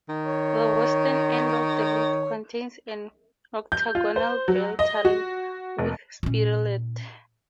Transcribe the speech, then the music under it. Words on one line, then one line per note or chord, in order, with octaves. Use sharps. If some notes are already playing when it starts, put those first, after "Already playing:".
The western end of the roof contains an octagonal bell turret with spirelet.
D#3
C#5
G6
F4
C5
F#3
D#5
F#4
F1
A#2 C#4